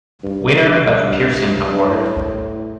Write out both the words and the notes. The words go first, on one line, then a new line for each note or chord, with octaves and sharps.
Winner of Pearson award.
G2
G2
A2